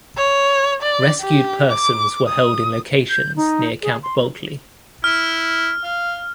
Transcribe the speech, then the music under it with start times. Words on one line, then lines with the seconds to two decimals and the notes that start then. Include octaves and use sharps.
Rescued persons were held in locations near Camp Bulkeley.
0.17 C#5
0.82 D5
1.21 G4
1.71 D6
2.27 D#6
3.08 G6
3.36 D#4
3.81 G#4
4.02 C6
5.04 E4 F6
5.83 F5